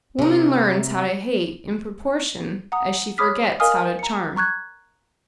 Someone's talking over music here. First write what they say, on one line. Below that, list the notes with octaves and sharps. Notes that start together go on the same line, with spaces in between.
Woman learns how to hate in proportion as she--forgets how to charm.
C3 A#4
F#5 A#5 D#6
C#5 B5 D6 D#6 F6 B6
A#4 D#5 F5 G#5 D#6 F6
A#5 C#7
A#5 C#6 F#6 G#6